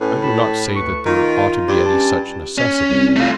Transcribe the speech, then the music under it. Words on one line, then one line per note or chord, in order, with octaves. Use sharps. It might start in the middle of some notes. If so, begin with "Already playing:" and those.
I do not say that there ought to be any such necessity.
A2 C#4 E4 B4
A4 A5 B5
D2 B4 C#6
D#3 F4
G2
C#4 A5
C#4
C2
A3 F4